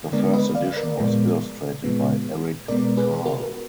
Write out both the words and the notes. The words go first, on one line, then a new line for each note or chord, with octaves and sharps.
The first edition was illustrated by Eric Carle.
D3 G#3 B3 A#4 D5
B4 D#5
D5 F5
A#4 D5
A#2 F3 G#3 B3
A#2 F3 G#3 B3
B2 G#3 B3 A#4 D5
G#4 B4
F#4 A#4